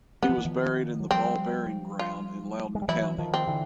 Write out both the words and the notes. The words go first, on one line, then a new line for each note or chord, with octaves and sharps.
He was buried in the Ball Burying Ground in Loudoun County.
F#3 B3
F3
E3
D#3 F3
F#3
F3 G3 C4
F4
G#3
G3
E3 F#3 E4
D#3 F3
C4
D3 E3